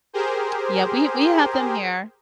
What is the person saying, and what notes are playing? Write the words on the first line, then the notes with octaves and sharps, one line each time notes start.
yeah, we we have them here,
G4 G#4 A#4 C5